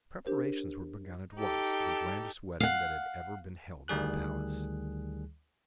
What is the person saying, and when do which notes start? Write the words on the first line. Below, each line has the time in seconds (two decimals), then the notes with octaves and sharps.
Preparations were begun at once for the grandest wedding that had ever been held at the palace.
0.25 D4 G4 A#4 C5
1.36 D#4 G4 A4
2.60 F5 F#5
3.88 D2 D#3 G3 G#4 F#6